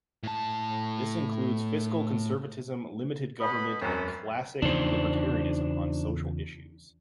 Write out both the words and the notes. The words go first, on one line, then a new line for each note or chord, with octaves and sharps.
This includes fiscal conservatism, limited government, and classic libertarianism on social issues.
A2 A5
B2 D#5 B5
E1 F#2 C4 C#4 B4
E2 C#3 F3 D4 D#4 C5